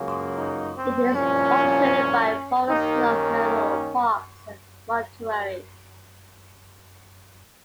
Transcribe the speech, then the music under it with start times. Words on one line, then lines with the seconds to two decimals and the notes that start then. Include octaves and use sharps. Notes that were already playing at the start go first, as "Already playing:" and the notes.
It is operated by Forest Lawn Memorial-Parks and Mortuaries.
Already playing: C#2 C#3 F#3 A#3 C#4
0.36 D#4
0.75 C4
1.13 C2 A#2 F3 C#4
2.69 D#2 D#3 A#3 D#4
3.07 C#4